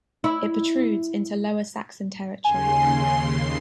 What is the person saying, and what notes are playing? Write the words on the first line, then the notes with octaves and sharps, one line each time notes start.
It protrudes into Lower Saxon territory.
E4
D#2 C#3 G#5 C6